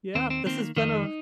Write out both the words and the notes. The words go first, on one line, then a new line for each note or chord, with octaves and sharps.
yeah, this has been a f
D#2 C4
C4
D#3 A#3 C4
F2 D#3 D#4